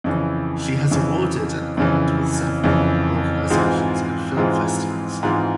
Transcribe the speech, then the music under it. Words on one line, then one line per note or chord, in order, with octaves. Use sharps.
She has awarded and honored with several organizations and film festivals.
F2 C#3 E3
F2 C#3 E3
F2 C#3 E3
F2 C#3 E3
G#2 E3 G#3 C4 F4
G#2 E3 G#3 C4 F4
G#2 E3 G#3 C4 F4